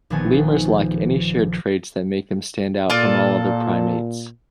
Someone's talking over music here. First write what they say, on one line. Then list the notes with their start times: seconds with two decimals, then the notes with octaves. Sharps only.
Lemurs lack any shared traits that make them stand out from all other primates.
0.10 A#1 D#3 F3 B3 G#5 A6
2.90 A#2 F4 A4 D5